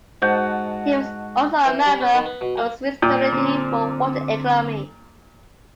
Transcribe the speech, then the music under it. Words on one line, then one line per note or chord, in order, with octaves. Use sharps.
He was also a member of the Swiss Committee for Water Economy.
G#2 F#4 C5 D#5 F#5 A5 G6
E3
G3
C#4
D#3
B3
B2
A#3
A#2 G5
D3 C4